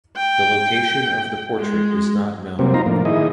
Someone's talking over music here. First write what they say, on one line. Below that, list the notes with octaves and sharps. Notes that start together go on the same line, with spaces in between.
The location of the portrait is not known.
G5
G#3
C3 F#3 G3 A#3 C4
D#4 F4 C5 A#5
A2 F3 A#3 D4
D#3 E4 G#4 D#5